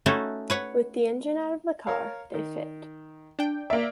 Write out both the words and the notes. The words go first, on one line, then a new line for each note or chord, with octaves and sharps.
With the engine out of the car, they fit.
A3 C#4 D#4 E4 F#4
B4 C#5 F#5
A#4 C#5 F5
D#3
D4 G5
A#3 D5 E5